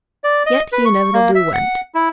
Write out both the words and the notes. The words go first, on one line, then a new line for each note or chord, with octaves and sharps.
Yet he inevitably went.
D5
D#5
B4
C#6
A#3
E5
F#5
E4